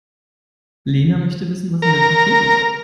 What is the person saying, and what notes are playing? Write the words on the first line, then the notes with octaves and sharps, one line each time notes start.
Lena möchte wissen, was in dem Paket ist.
A#4